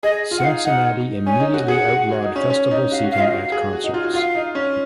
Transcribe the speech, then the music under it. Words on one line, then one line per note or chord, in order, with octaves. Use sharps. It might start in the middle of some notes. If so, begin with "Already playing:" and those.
Cincinnati immediately outlawed festival seating at concerts.
G#4 D#5
F4
F#5
D#4 F5
D#4 F#5
C#4 G#5
D#4
F#4
G#4 F#5
F#4
F#4
D#4
C#4
C#4
D#4
F#4 F5
F#4
F5
F4 D#5
F#4 F5
G#4
F#4
D#4
F4
F#4
F4 F5
D#4
C#4